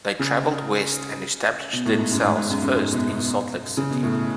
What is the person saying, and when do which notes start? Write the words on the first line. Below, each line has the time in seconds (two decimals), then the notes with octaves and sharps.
They traveled west and established themselves first in Salt Lake City.
0.19 C#3
1.73 B2
1.86 A2
1.98 G#2
2.11 F#2
2.24 G#2
2.37 G#2
2.50 F#2
2.62 F#2
2.75 G#2
2.92 B2
3.10 B2
3.77 C#3
3.90 B2
4.03 A2